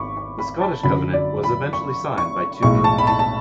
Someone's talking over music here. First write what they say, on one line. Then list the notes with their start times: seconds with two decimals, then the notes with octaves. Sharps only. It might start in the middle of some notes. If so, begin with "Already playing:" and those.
The Scottish Covenant "was eventually signed by two million people".
Already playing: G#1 B5 C#6 D6
0.17 C#6
0.39 B5
0.61 A5
0.83 F#2 D3 F#3 B5
1.13 D5
1.44 B5
1.73 C#6
2.18 C#6
2.62 B1 A2 G#3 C#6
2.84 A5
2.98 B5
3.07 A5
3.19 A5